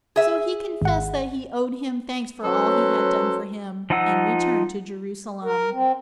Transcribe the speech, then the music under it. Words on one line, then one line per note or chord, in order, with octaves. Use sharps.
So he confessed that he owed him thanks for all he had done for him, and returned to Jerusalem.
G#4 E5
G#1 F#5
F#3 C#4 A4 B4 C5
F3 D#4 F4 F#5 E6
A#4
C4